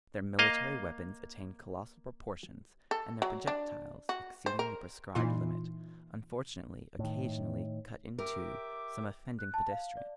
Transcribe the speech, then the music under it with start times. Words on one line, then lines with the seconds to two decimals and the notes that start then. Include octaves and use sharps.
Their military weapons attained colossal proportions, and their projectiles, exceeding the prescribed limits, unfortunately occasionally cut in two some unoffending pedestrians.
0.39 A#3 D#5 F5
2.91 A4
3.22 F#3
3.47 D4
4.09 F#4
4.46 C5
4.59 A#4
5.15 A#2 E3 D#4 F4 C6
6.99 A2 D#3
8.18 G4 A#4 E5 D6
9.39 F#6
9.54 A5
9.71 F5
9.97 D5